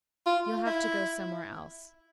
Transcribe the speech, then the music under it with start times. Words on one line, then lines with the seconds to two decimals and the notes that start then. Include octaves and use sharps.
"You'll have to go somewhere else."
0.26 F4
0.66 E4